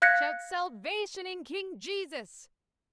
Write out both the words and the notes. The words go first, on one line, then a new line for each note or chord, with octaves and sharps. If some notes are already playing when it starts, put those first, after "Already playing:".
Shout salvation in King Jesus.
F5 F#6 G#6 A#6 B6 C#7